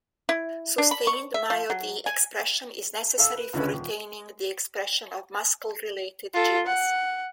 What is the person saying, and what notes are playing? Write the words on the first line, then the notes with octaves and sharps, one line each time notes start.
Sustained MyoD expression is necessary for retaining the expression of muscle-related genes.
E4
D4
B5
C#6
E5
F3
F#3
G#5
A4 F5 E6
B4
C#2 D3 C#4 B4
D#1
F4 A4
F#5